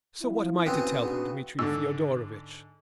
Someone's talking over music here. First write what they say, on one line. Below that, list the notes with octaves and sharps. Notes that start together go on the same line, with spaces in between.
So what am I to tell her, Dmitri Fyodorovitch?
F3 C4 E4
D#2 C#3 B3 C4 F#4 C5
D4 F#4
G#2 D3 E6